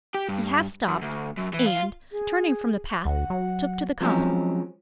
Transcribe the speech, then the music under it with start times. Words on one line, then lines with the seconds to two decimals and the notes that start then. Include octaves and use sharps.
He half stopped, and, turning from the path, took to the common.
0.14 G4
0.29 G2
0.88 F#2
1.02 D2
1.38 F#2
1.54 E3
1.66 F4
2.12 G#4
3.05 D2 F#5
3.30 F#3
4.01 F3 F#3 G#3 C4 C#4